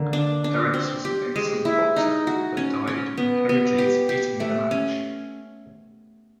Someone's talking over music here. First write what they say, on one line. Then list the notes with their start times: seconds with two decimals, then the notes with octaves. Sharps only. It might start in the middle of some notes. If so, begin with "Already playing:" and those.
Eryx was an excellent boxer but died when Heracles beat him in a match.
Already playing: D3 A#3
0.13 D4
0.44 D4
0.74 C4
1.05 G4
1.36 G#3
1.65 E4
1.96 D#4
2.27 F#4
2.57 C#4
2.87 C#4
3.17 B3
3.49 B3
3.78 G4
4.09 G4
4.40 A3
4.71 C#4